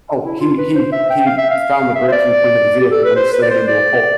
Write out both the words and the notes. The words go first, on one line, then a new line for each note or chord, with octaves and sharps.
Oh, he he he found the breaking point of the vehicle when he slid it into a pole.
E4
F4
B4
C5
E5
G5
F5
E5
F5
E5
C5
D5
G4
A4
B4
C5
B4
D5
C5
D5